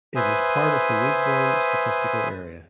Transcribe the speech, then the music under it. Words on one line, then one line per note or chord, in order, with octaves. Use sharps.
It is part of the Woodbourne statistical area.
B4 C5 E5 G#5 D#6